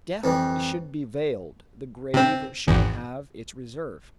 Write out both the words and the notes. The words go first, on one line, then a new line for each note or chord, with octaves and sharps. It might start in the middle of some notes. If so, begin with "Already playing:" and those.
Death should be veiled, the grave should have its reserve.
F2 E3 G3
C3 C4
G#1 E2